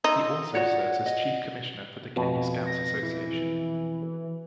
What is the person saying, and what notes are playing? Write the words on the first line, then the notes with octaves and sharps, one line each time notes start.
He also serves as Chief Commissioner for The Kenya Scouts Association.
D#4 C6 E6
F4 F#4 C#5 D5 F#5 C#7
D#5
F2 B2
A#6
E3